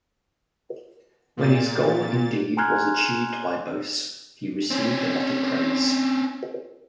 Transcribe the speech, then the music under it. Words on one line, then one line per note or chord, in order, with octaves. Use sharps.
When this goal indeed was achieved by "Bosse", he received a lot of praise.
A#2 A6
G#5 A#5 C6 F6 F#6 G#6
C4 C#4